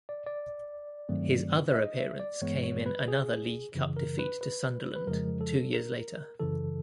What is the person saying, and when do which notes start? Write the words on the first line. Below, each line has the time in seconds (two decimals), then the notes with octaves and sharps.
His other appearance came in another League Cup defeat to Sunderland two years later.
0.09 D5
0.26 D5
1.09 G2 D#3 F#3 A3 C4
1.71 E5
1.76 D#5
1.98 E5
2.20 D5
2.41 G2 E3 G#3 B3 C#5
2.64 C#5
2.86 B4
3.08 G#4
3.75 F#2 C#3 E3
3.97 A#4
4.19 B4
4.41 B4
4.96 B4
5.07 F2 C#3 F3 G#3 A#4
5.41 A4
5.74 A#4
6.40 F#2 C#3 E3 A4